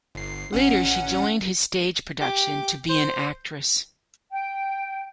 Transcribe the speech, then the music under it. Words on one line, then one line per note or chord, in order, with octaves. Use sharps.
Later she joined his stage production to be an actress.
G1 C7
A1 C#4 F#5
G4
C5
G5